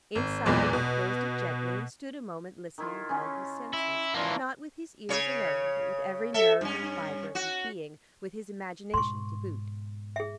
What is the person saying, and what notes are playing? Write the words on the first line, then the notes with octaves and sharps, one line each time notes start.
Inside, he closed it gently, and stood a moment listening with all his senses--not with his ears alone but with every nerve and fibre of his being--with his imagination, to boot.
G#1
B1 E2 A#2 G#3
B2
D#3 E4 F4
C#3 C#4
E4
E3 A#3 F4 D5 A5
C#3 C#5
A4 E5
G2 C#4
F#4
G#2 B2 C6 C#6
G#4 E5